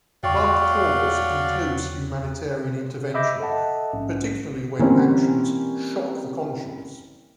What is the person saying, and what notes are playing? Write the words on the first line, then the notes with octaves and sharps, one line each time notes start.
Right cause includes humanitarian intervention, particularly when actions "shock the conscience".
E2 F#3 D5 F5 G5 C#6
D#5 E5 B5 D6 G6 A#6
A4 D#5 E5 F#5 A5
A#1 G#2 C#4
E3 G3 A#3 C4 C#4